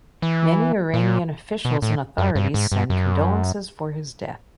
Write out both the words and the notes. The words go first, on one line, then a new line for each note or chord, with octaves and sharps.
Many Iranian officials and authorities send condolences for his death.
E3
A#2
B2
A2
F#2
G2
G#2
G2
F#2